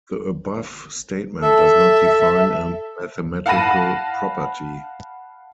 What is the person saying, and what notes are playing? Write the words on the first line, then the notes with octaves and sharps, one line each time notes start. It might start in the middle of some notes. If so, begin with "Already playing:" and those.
The above statement does not define a mathematical property.
A4 E5
F5 F#5 A5 B5 A#6 D#7